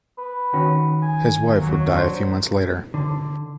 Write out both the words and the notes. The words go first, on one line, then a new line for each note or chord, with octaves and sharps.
His wife would die a few months later.
B4
D#3 C#4 F#4
G#5
D#2 F#3
D4 C5
D3